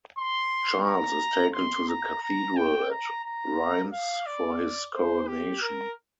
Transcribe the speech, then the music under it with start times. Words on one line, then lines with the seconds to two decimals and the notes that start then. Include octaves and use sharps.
Charles is taken to the Cathedral at Reims for his coronation.
0.18 C6
0.86 A#5
1.54 C6
1.89 A#5
2.23 A#5
2.57 G5
2.91 A#5
3.24 A#5
3.93 F5
4.26 D5
4.94 C5
5.27 G4
5.62 A#4